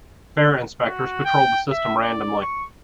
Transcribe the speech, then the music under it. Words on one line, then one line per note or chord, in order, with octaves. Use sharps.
Fare inspectors patrol the system randomly.
F#4
G5
E5
D5
C#6